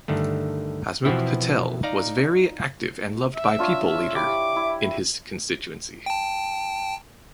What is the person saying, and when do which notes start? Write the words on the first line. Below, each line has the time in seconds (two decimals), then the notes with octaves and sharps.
Hasmukh Patel was very active and loved by people leader in his constituency.
0.08 G2 D3 D#3 A3
1.05 B2 E3 F3 B3 C4 E4
1.83 D#4 D5 F5 A#5
3.36 E5
3.59 D4 F4 C#5
4.15 E4 G4 B5 D6
4.56 E4
6.06 G5 A5